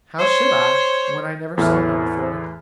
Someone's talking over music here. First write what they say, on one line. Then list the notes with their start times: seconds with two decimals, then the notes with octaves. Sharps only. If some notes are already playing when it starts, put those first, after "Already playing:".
"How should I, when I never saw her before?"
0.19 C5 C#5
1.58 E2 A2 E3 F6